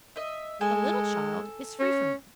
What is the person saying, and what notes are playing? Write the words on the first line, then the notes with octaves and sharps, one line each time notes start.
The little child is free from them.
D#5 E5
G#3 A4 G#5
C#4